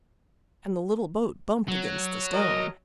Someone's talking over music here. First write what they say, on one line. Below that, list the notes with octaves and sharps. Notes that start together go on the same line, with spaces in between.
And the little boat bumped against the stone.
F#3
A#4 D#5